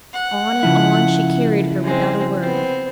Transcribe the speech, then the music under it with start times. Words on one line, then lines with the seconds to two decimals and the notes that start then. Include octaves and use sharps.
On and on she carried her without a word.
0.13 F#5
0.63 C#3 F3 E4
1.84 G#3 C4
2.42 B3 C4